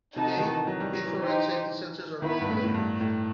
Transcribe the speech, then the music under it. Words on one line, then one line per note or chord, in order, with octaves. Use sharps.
Today, infrared safety sensors are normally used.
C3 D#4 F#4 A4 D#5 A5
D#3
E3
F#3
G3
F#3
E3
D#4 G4 C5
D#3 B3 E4 B4
G2
A2
A2
G2
A2